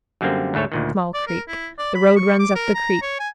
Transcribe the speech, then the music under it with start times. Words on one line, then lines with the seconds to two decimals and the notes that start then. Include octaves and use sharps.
Small Creek.--The road runs up the creek.
0.21 F#2 D3 G3 A#3 C4
0.54 D2 G#2 A3 A4 C#5
0.72 D2 A#2 D#3
1.14 D5
1.27 A#4
1.48 E4
1.79 D5
1.95 B5
2.16 C#6
2.39 D6
2.55 A#4
2.74 A#5
3.02 C#5
3.19 G#5